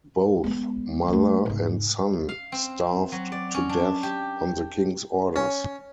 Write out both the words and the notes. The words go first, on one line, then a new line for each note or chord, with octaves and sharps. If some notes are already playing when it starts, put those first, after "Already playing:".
Both mother and son starved to death on the King's orders.
G#3 B3
D#2 A3
G#2 C#3
F5
C4
F#3
D5
C#4
D4
G4
C#4